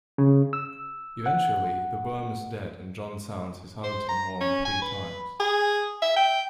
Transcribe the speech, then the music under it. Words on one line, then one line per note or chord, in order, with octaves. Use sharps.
Eventually, the worm is dead and John sounds his hunting horn three times.
C#3
E6
F#5
C5
A#5
C#4
G#5
B4
G#4
E5
G5